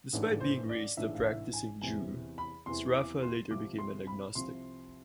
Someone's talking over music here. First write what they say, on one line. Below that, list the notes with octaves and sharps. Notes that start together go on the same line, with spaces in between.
Despite being raised a practicing Jew, Sraffa later became an agnostic.
A1 G#2 E3 A3 D4
C5
D5
A1 G#2 E3 A3 D4 E5
F5
E5
G#5
E2 C3 E3 G#5
B5
E2 C3 E3 C6
D6
C6
C2 C3 F3 D6
C6
B5
C2 C3 F3 C6